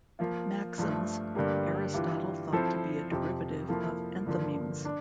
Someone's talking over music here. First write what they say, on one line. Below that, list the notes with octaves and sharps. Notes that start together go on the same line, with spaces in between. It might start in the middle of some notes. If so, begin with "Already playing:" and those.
Maxims, Aristotle thought to be a derivative of enthymemes.
F3 A#3 F4
G2 F3 A3
G2 D3 G3 A#3
E3 G3 D4 F4
F3 C4 E4 A4 C5
F2 C3 F3 C4 G4
F3 A#3 E4 A4
G2 D3 F3 A#3
D4